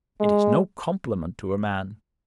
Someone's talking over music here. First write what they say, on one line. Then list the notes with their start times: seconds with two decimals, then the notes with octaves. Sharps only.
It is no compliment to a man.
0.20 G#3